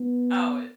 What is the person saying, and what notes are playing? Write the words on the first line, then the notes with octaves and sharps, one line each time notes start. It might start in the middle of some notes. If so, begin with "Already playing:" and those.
Oh, i
Already playing: B3